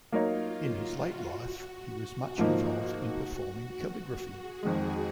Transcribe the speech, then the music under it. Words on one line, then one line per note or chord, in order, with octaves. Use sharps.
In his late life he was much involved in performing calligraphy.
F#3 A#3 D#4 F4 A#4 C#5
F#4
F#4
G#2 F3 A#3 D#4
F#4
G#4
F2 D#3 G#3